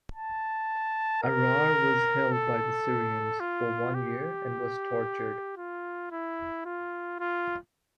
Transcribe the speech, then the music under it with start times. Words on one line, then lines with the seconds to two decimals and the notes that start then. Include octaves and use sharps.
Arar was held by the Syrians for one year and was tortured.
0.14 A5
1.23 A#4
2.32 A4
3.40 F4
3.94 G4
5.57 F4
6.11 E4
6.65 F4
7.20 F4